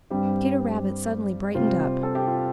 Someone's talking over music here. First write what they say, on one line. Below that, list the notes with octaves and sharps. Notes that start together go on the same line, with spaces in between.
Peter Rabbit suddenly brightened up.
G2 G3 C4 G4
C3 G3 C4 F4
A4
G4
F4